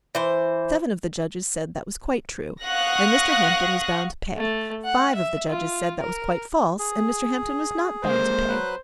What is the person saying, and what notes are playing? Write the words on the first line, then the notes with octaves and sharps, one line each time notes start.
Seven of the judges said that was quite true, and Mr. Hampden was bound to pay: five of the judges said that was quite false, and Mr. Hampden was not bound to pay.
E3 C5
F5 F#5 C#6 D#6 F#6 A#6
A3
F#5
E5
F4
A#4
G#4
G#3 A#3 C5
F#3 B4 F#6